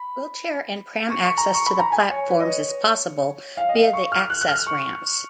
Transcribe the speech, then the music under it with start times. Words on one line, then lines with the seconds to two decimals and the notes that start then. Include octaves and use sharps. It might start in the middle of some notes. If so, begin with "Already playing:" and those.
Wheelchair and pram access to the platforms is possible, via the access ramps.
Already playing: B5
1.10 C#6
1.24 C#6
1.38 A#5
1.54 C#6
1.67 B5
1.79 A#5
1.92 G#5
2.11 C#5
2.29 B4
2.40 D#5
2.47 C#5
3.57 F5
3.69 D#5
3.75 F5
3.93 C#6
4.12 F6
4.30 F#6
4.41 F#6
4.48 F6
4.67 C#6